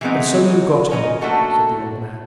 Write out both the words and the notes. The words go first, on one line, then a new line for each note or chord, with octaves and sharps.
'And so you got him!' said the old man.
E3 F#3 G#3 B3 C4 D#4
C#4 D#4 D#5
A3 A#3 D4 F#4 A4